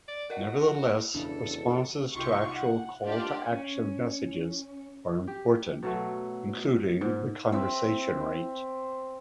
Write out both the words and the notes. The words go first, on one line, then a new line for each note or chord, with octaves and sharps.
Nevertheless, responses to actual call-to-action messages are important, including the conversion rate.
D5
F#4 A#4 D#5 F#5
E1 F2 C#3 E3 D4 A4
C2 D#4 F4 G4 C6 C#6
F#5
G#3 D4 F4 G4 D5
C#4
G4
B2 F#3 A3
G#2
C4 E5